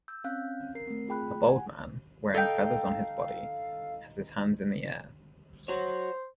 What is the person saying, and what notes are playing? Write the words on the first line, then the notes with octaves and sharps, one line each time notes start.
A bald man, wearing feathers on his body, has his hands in the air.
E6 G6
C4 C#4 F5 F#6 G6
A#4 C7
A3 C4
A3 F4 G#4 G5 B5 F#6
F#5 G#5
D#4 A4 F5 G5
F#4 C5 C#5